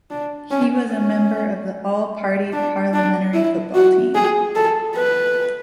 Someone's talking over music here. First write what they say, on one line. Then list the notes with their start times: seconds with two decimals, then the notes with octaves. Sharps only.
He was a member of the All-Party Parliamentary Football Team.
0.11 D4
0.51 C#4
0.92 C#4
2.53 D4
2.94 D4
3.34 E4
3.74 F#4
4.15 G#4
4.55 A4
4.95 B4